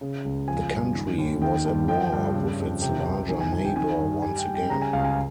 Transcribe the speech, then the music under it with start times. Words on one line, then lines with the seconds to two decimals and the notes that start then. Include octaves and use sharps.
The country was at war with its larger neighbor once again.
0.01 C#3
0.25 C#2
0.48 F3 G#5
0.71 G2
0.96 D#3
1.18 D#2
1.42 D#3 G5
1.65 G2
1.88 F3 G5
2.12 G2
2.35 C#3
2.59 F2
2.82 C3 G5
3.06 C2
3.29 D#3 G#5
3.40 G#5
3.52 F2 G#5
3.65 G5
3.76 D#3 G#5
3.99 G2
4.22 G3 G#5
4.38 G5
4.46 G3
4.54 G5
4.69 C#3 A#5
4.82 G#5
4.93 C#2 F5
5.04 G#5